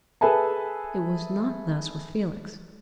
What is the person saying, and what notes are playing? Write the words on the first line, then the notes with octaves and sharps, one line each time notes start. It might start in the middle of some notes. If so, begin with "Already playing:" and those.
It was not thus with Felix.
G#4 A4 B4 E5 G#5 A5